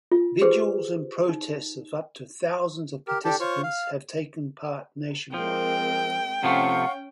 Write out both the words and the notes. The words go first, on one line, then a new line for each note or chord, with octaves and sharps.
Vigils and protests of up to thousands of participants have taken part nationwide.
F4
G4 G#4 B4 C5
D#4
G4 A#4
D4 G4 A4 G5
F4 C5 C#5 C#6
F5
F3 G#3 C4 A#4 G5
C3 F3 A3 C#4 F5 F#5 C#6